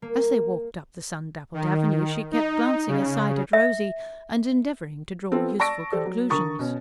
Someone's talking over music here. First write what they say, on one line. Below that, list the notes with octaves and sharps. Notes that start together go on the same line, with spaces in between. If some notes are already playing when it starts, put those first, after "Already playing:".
As they walked up the sun-dappled avenue she kept glancing aside at Rosy, and endeavouring to draw useful conclusions.
A#3
D#3
D#4
C#3
E5
B3 C4 F4 A4
D5 A5 C#6 E6 A#6 D7
G4 A4 C5 D5
F#3
D3 A#4 A#5 C#6 D#6 A6
B2 C#4